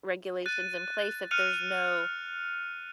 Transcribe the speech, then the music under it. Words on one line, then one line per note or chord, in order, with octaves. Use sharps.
regulations in place if there's no,
F#6 A6 D#7
F6 F#6 C#7 D#7 F7